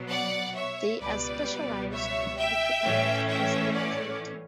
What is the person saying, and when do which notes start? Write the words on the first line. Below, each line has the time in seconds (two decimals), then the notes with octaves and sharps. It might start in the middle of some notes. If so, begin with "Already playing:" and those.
There are specialized equipment for snowkiting.
Already playing: B2 F#3 B3
0.09 D5 F#5
0.54 C#5 E5
1.00 C#2 B2 G3 B3 B4 D5
1.91 C#5 E5
2.37 E5 G5
2.83 A2 E3 A3 C#4
3.28 E5 G5
3.74 D5 F#5